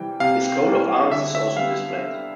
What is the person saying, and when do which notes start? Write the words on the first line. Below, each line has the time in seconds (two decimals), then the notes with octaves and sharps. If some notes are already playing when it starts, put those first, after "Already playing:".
His coat of arms is also displayed.
Already playing: C3 E3 G3 G5
0.20 C3 F5
0.66 E3 G3
1.11 D3 E5
1.35 E5
1.56 G3 F5
1.62 B3